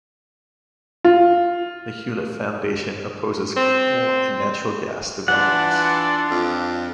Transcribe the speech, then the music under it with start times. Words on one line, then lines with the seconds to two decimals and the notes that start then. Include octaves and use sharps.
The Hewlett Foundation opposes coal and natural gas development.
1.04 F4
3.57 C4
5.28 E3 D4 F4 D5 F#5
6.30 F2